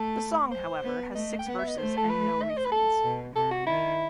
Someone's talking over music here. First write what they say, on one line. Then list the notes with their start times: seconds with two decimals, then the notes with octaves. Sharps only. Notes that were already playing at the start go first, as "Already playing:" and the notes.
The song, however, has six verses and no refrains.
Already playing: A3 A4
0.51 C5
0.83 B3
1.15 A3 D#5
1.39 G5
1.46 B3 F#5
1.59 E5
1.68 D#5
1.78 A3 C5
1.97 A4
2.09 B4
2.42 E5
2.50 D#5
2.57 C5
2.65 B4
2.72 A4
3.03 B2
3.35 C3 A4
3.51 F#4
3.66 D#3 E4